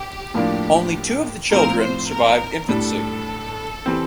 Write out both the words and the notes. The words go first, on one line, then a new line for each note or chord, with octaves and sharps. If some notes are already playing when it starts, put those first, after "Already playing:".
Only two of the children survived infancy.
Already playing: G4
A2 F3 A#3 D4
A2 F3 C4 A#4
C5
A#4
A2 G3 D4 A4
E3 G3 C4